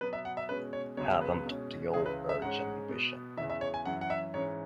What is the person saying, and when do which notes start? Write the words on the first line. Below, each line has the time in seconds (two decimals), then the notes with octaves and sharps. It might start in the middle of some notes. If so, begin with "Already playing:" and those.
Haven't the old urge and ambition.
0.01 B2 F#3 B3 B4
0.13 E5
0.25 F#5
0.37 E5
0.49 B2 G#3 C#4 B4
0.73 C#5
0.97 C#2 C#3 F#3 B3 C#5
1.21 B4
1.45 B2 G#3 C#4
1.93 C#2 C#3 E3 G#4
2.06 B4
2.29 E5
2.42 G#2 G#3 C#4 F#5
2.89 B2 B3
3.37 E2 C#3 E3 E5
3.50 E5
3.61 C#5
3.74 G#5
3.85 F#2 E3 C#4 F#5
4.01 F#5
4.10 E5
4.34 G#2 E3 C#4 C#5